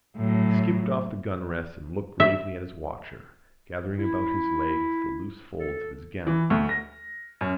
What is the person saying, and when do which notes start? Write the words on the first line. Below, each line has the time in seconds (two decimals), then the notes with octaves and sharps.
He skipped off the gunrest and looked gravely at his watcher, gathering about his legs the loose folds of his gown.
0.16 A2 F#3
2.20 E5
3.99 E4
5.59 A4
6.27 E3
6.50 D2
6.69 A#6
7.41 F#2